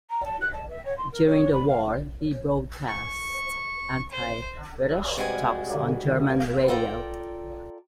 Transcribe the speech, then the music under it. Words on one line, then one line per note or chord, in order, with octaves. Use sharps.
During the war, he broadcast anti-British talks on German radio.
A#5
A5
F#6
A5
E5
C#5
C6
A#4
C#5
B5
F5
C#6
C5
C3 G3 G#3 F#4 G4 G#5
F4 A4 A#4 D5 G5